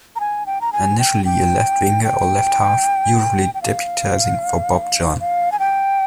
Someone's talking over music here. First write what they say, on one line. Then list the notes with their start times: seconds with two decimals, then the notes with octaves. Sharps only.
Initially a left-Winger or left-half, usually deputising for Bob John.
0.16 A#5
0.20 G#5
0.46 G5
0.61 A#5
0.73 G#5
0.99 G5
1.25 G5
2.04 G5
3.54 G5
3.62 F5
5.20 F5
5.52 G#5
5.59 G5